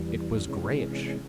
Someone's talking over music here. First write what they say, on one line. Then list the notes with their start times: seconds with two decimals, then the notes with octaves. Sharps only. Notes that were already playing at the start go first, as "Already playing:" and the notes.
It was grayish.
Already playing: E2 E3 G3
0.45 C3 E3 G#3 C#4